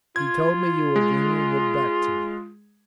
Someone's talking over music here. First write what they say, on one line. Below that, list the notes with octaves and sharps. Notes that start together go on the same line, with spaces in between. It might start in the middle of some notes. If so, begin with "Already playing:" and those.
"He told me you were bringing it back to me."
F4 G#6
G#3